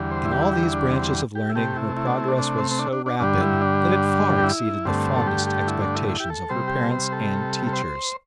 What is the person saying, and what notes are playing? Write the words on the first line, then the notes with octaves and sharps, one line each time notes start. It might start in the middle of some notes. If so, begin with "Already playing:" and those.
In all these branches of learning her progress was so rapid that it far exceeded the fondest expectations of her parents and teachers.
Already playing: E2 D3 G3
C5
E4
G4
E4
G4
E4
D4
C4
G4
E4
C3 A3 G4
E4
E4
D4
E4
D4
D4
C4
C4
D4
D4
D4
G2 D3 G3 D4
E4
D4
G4
E4
G2 D3 A3 C4
A4
G4
G4
E4
D4
E4
E4
G4
A4
C3 G3 C5
G4
A4
C5
A4
A4
C5